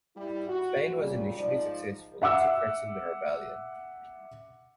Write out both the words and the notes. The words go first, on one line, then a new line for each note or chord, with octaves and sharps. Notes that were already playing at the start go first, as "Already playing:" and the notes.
Spain was initially successful in suppressing the rebellion.
G3 E4
F#4
A#2 C#3 G3
G#2 F3 D#4 D5
E5 F#5 D6 E6